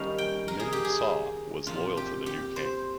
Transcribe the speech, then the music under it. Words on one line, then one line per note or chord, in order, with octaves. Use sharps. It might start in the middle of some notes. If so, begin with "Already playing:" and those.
Min Saw was loyal to the new king.
Already playing: D#3 G3 A#3 C#4 F5
G5
A#4
G#4
G4
G#4
A#2 F3 C4 F4
G4
G4
C5